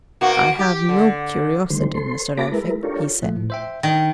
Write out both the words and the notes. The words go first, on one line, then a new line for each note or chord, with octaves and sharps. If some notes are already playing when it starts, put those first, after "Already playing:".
"I have no curiosity, Mr. Elphick," he said.
B2 A#3 F#4
G4
D3
D3 D#3 G3 A3 C5
A4 C5 C6
A#3 F#4 A5 B5 D6 A#6
G#3 E4 A#4 B4
D4 F4 G4 A4 A#4 C#5
A#2 F3 A3
A2
C5 E5 G5
D#3
D4